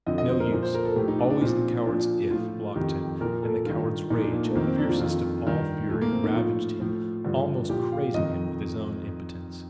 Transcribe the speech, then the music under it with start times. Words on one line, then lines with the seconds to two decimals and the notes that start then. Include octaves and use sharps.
No use; always the coward's "if" blocked him; and the coward's rage,--fiercest of all fury,--ravaged him, almost crazing him with his own impotence.
0.07 F2 D3 F3 D#5
0.18 D#5
0.29 C5
0.40 A#4
0.52 A#2 F3
0.63 C5
0.74 A#4
0.85 A4
0.96 A2 F3 G4
1.08 D#4
1.19 D4
1.30 D4
1.41 A#2 F3 C4
1.86 A#2 F3 D4
2.31 A2 F3 F4
2.76 F2 D#3 G4
3.21 A#2 F3 A#4
3.43 A4
3.65 G2 D#3 F4
4.10 A#2 F3 D#4
4.21 D4
4.33 A#3
4.44 A3
4.51 C4
4.55 F2 D#3 A#3
4.67 C4
4.78 D4
4.89 F4
5.00 F2 D#3 F4
5.46 G2 D#3
5.90 A#2 F3 A3
6.02 A#3
6.12 C4
6.24 D#4
6.35 A2 F3 F4
6.80 A2 F3
7.25 G2 D3 F3
7.70 A#2 F3 G4
7.92 F5
8.14 F2 D#3 D#5